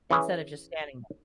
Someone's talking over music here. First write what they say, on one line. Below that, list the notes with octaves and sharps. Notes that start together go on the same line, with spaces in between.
instead of just standing
E3 C#4 G#4 B4